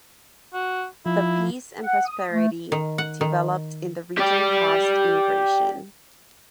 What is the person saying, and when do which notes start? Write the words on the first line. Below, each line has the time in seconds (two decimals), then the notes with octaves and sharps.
The peace and prosperity developed in the region caused immigration.
0.54 F#4
1.06 F3 E4
1.84 F#5
2.06 D#6
2.32 A3
2.72 D#3
2.98 F#5
3.21 D#3
4.18 G4 D5